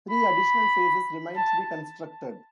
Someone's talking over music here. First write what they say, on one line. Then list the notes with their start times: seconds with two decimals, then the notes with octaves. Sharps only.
Three additional phases remain to be constructed.
0.11 B5
1.37 A5